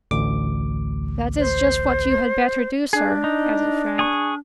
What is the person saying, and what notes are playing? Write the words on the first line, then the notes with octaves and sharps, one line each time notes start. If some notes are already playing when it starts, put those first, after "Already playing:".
"That is just what you had better do, sir," added Frank.
A1 D2 D6
C5
D4 G#4
D#4
G#4 C#6